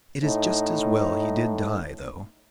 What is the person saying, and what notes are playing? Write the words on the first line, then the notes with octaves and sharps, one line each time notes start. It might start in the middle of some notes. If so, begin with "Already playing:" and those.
"It is just as well he did die, though."
A2 D#4